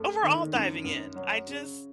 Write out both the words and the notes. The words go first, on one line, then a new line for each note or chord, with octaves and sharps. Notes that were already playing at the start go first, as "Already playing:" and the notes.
overall diving in, I just
Already playing: F#2 A3
D#3
F#2
F#2
F#3
C#3